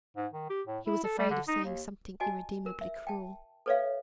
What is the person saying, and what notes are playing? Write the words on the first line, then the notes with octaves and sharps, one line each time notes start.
He was afraid of saying something irremediably cruel.
G#2
D#3
G4
A2
E4
A4
G3
D3
D#4
D#2
F#4 D#5 G#5 A5
A#4
E5
G5 A5
A4 B4 C#5 D5 E5 F5